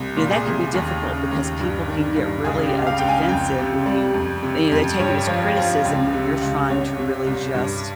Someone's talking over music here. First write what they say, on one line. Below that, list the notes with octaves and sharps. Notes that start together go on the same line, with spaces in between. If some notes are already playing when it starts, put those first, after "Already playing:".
you know, that can be difficult because people can get really, uh, defensive when you they you know, they take it as criticism when you're trying to really just
Already playing: C2
A#2
G#4
C2
D#2
C#3
D#2
G2
D#3
G2
C#2 G#4
G4
C#3
F5
C#2 G5
G#5
F2 G5
C3
G3
F2
C3
F2
G2 C#5
F3
F3
C#2
C3
C#2
C2 C#5
C3
C2
G2